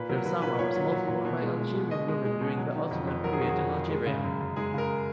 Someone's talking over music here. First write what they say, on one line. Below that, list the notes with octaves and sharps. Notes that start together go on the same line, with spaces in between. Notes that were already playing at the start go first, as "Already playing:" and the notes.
The Sarma was mostly worn by Algerian women during the Ottoman period in Algeria.
Already playing: A#2 B4
F#3 A#4
F#3 B4
A#2 B4
A#2 C#5
F#3
F#3
A#2
B2
G#3
G#3
B2
B2 D#5
G#3
G#3
B2
F#3
D#3
F2
F2
F#3 A#4
G#4
D#3 F#4
G#4
F2
F2
G#3
C#3
F#2
F#2
G#3 G#4
C#3 A#4